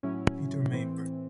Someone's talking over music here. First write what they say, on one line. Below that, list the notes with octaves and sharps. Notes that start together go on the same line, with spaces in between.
Peter Meienberg.
A2 F#3 C#4 E4
A2 E3 C4